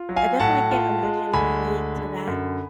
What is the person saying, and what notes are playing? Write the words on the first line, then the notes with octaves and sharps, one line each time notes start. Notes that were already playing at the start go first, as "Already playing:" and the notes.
I definitely can't imagine or relate to that-
Already playing: F4
F#3
F5 G#5
A2 F#5 A5
F4
G#3
D2 G#5 B5
G#3
D3
F#2